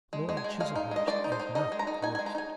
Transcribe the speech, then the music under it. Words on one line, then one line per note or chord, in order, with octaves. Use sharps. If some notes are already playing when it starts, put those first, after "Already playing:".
Lord Chiselhurst is not the worst.'
G#3
G#3
G#5
G#3
G#3 F5
D#4
G#3 D#5
G#3 D5
D#4
C5
D#4
D#4 D#5
G#3
A#5
D#4
D#4 G#5
G#3 G#5
A#5
D#4 G#5